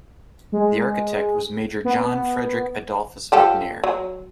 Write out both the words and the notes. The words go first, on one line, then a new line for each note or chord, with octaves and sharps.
The architect was Major John Frederick Adolphus McNair.
G#3
B3
B3
F3 G4 A4
F#3